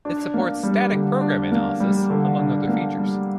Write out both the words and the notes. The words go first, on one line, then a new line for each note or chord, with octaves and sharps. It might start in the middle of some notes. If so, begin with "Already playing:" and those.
It supports static program analysis, among other features.
D4
A#3
G3
D3
D4
A#3
G3
D3
D4
A#3
G3